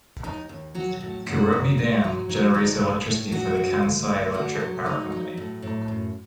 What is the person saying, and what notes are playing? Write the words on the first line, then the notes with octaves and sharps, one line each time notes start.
Kurobe Dam generates electricity for the Kansai Electric Power Company.
D#2 D#4
D#2
F#3 F#4
A2
F#2 F#4
F#2
D#2
F#3
F#3 D#4
D3 D#4
A2
A2
F#3 F#4
F#2
D2
D2
D3 F#4
F#3
F#3 D#4
F#3
A2
A2
F#2